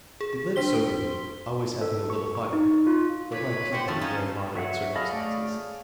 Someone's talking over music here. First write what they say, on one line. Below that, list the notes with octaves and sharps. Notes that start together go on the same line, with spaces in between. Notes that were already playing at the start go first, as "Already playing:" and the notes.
They lived soberly, always having a little fire, but like people in very moderate circumstances.
G#4
D4 C5 B6 G7
A4
C#6
C#6
D#4
F4
A#2 B4 C#5
F#4 G4 C5
D#3 F3 A3 A5
C#4 D#4 F4
F#3 C#5 E5 F#5
G#4 A4 D#5 F5 B5
A3 D5